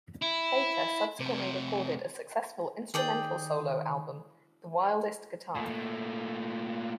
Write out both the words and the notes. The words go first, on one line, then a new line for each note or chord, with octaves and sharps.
Baker subsequently recorded a successful instrumental solo album, "The Wildest Guitar".
E4
F2 C3
D#3 G#4 D5 G5
A#2 A3